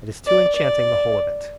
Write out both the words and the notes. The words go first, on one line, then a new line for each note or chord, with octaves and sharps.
It is too enchanting, the whole of it.
D5
D5